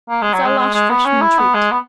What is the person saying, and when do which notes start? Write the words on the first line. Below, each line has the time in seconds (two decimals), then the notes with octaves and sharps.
It's our last freshman treat.
0.09 A#3
0.22 G#3
0.34 F#3
0.45 G#3
0.58 G#3
0.73 G#3
0.90 B3
1.05 C#4
1.21 E4
1.38 B3
1.54 G#3
1.71 B3